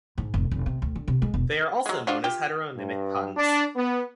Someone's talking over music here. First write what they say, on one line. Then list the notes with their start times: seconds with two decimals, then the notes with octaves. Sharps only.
They are also known as "heteronymic puns".
0.18 G#2
0.34 F1
0.51 F1
0.66 C3
0.82 D2
0.95 D3
1.08 C3
1.22 G#3
1.34 E1
1.86 F#3 G#3
2.07 D4 F4 F#4
2.24 F4 G4
2.76 G2
3.37 D4
3.76 B3